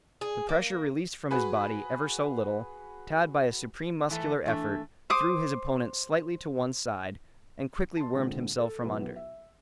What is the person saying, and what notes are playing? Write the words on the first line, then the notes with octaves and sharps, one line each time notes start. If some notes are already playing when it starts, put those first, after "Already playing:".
The pressure released from his body, ever so little, Tad by a supreme muscular effort, threw his opponent slightly to one side, and quickly wormed himself from under.
G#4
A#3
F#4 G#4 B4
G#2 E3 A3
E3 A3 D4
C5 D6 D#6
A5 C6
A#2 D3 G#3 C4
A4
B1 B3 E4
E5